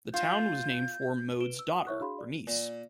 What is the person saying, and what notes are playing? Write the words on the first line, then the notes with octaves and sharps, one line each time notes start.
The town was named for Mode's daughter, Bernice.
F4 G6
B4 D7 E7 G7
E6
F#5 D#6
E4 C#5 E5 C#6 F#6
D4 F#4 G#4 F5 B5 C6
D5
A#2